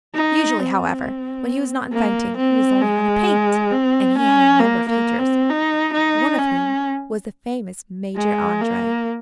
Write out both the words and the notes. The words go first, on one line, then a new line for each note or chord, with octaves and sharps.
Usually, however, when he was not inventing he was learning how to paint, and he had a number of teachers, one of whom was the famous Major Andre.
D#4
C4
A#3
C4
G#3
C4
C#4
A#3
A#3
C4
D#4
D#4
C#4
G#3
A#3